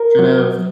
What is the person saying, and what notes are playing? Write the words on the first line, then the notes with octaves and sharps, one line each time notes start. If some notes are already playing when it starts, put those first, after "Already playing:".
kind of
Already playing: A#4
F#3